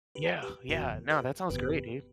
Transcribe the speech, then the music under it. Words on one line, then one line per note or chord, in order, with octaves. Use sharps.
Yeah. Yeah. Now, that sounds great, dude.
G4 B4
G4 B4
F#1 E2 B2 F#4 A#4
G4 B4
F#1 E2 B2 G4 B4